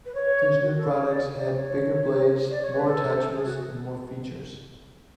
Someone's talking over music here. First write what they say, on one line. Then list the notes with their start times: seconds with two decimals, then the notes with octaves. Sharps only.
These new products had bigger blades, more attachments, and more features.
0.05 B4
0.14 C#5
0.62 F#4
0.77 A4
0.93 C#5
1.09 D5
1.33 D5
1.56 C#5
2.50 D5
2.62 C#5
2.74 B4
2.86 A4
3.35 G#4
3.45 F#4